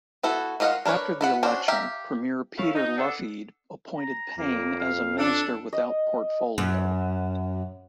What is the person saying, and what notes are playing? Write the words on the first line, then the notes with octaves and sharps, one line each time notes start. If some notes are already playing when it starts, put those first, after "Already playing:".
After the election Premier Peter Lougheed appointed Payne as a Minister without portfolio.
B3 E4 F#4 A4
D#3 F4 D#5 F5 F#5
D4 A#4 B4 C#5
B3 E4 F#5
C#4 D4 F#4 C5
G4 E5 F5 A#5
A3 C#4 E4 F5
D#4
B3 D4 A4 D5 F#5
A#5
F2 A#3
F5
D4 A4
D#5
F#2